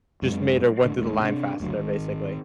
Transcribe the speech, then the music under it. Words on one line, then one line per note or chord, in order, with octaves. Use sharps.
just made her went through the line faster, basically.
F#2 G#3 C4
F1 A2 D3
G#1 D#2 G#2
C3 D4
F#1 D2 F#3
G#1 D#3